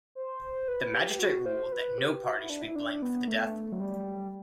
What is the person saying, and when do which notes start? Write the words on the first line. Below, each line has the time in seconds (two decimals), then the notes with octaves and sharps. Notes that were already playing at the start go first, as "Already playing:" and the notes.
The magistrate ruled that no party should be blamed for the death.
0.15 C5
0.68 B4
0.94 G4
1.19 F#4
1.46 C5
1.72 B4
1.98 G4
2.24 F#4
2.37 E4
2.50 D4
2.62 E4
2.76 D4
3.02 B3
3.28 A3
3.72 F#3
3.80 G3